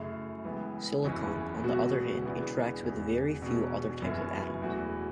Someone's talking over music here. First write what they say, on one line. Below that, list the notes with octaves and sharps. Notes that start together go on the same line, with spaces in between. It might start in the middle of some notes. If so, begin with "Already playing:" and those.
Silicon, on the other hand, interacts with very few other types of atoms.
Already playing: F#2 C#3 A3 E4
C#2 C#3 E3 B3
F#1 E2 E3 C#4 E4
E1 E2 B2 B3 F#4
E1 E2 C#3 E3 B3
E1 E2 C#3
E1 E2 B2
F#1 F#2 E3 B3 E4
E1 E2 E3 A3 F#4